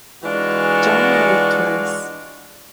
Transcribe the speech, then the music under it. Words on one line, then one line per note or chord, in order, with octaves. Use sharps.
John married twice.
E3 G#3 D4 F4 F#4